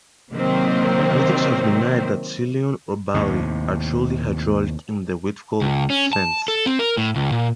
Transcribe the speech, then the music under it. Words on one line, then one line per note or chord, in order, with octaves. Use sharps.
Critics have denied that Ceylon or Bali are truly hydraulic in the Wittfogel sense.
C3 D#3 F#3 A#3 C4
D#2 A2 C3
C#2
C#4
A5
A4
C4
A#4
A2
C#2
A#2